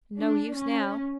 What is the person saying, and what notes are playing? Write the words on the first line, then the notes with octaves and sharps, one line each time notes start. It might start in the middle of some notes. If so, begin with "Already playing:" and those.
No use now.
D4
C#4